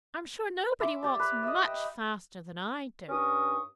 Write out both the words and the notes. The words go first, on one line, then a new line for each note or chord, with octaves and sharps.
'I'm sure nobody walks much faster than I do!'
E5 C6 D6
G4 D5
B4
D#5 E5
G5
G2 C#4 D#4 A#4 C#6 D#6